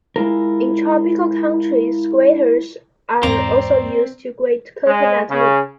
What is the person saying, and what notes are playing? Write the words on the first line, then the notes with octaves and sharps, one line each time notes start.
In tropical countries graters are also used to grate coconut meat.
G#3 E4 F4 A#4
E2 G#2 C4 C5 D5 A#5
G#3
C#3